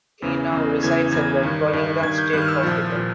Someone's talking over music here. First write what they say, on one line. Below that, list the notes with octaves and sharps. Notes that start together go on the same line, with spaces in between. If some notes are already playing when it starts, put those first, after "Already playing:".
He now resides at the Coalinga State Hospital.
E2 C#3 E3
E2 C#3 E3
E2 C#3 E3 G#6
E2 C#3 E3 G#6
G2 D#3
G2 D#3
G2 D#3 G#6
G6
G2 D#3 F#6
F6
E6
C2 A#2 F3
A#2 F3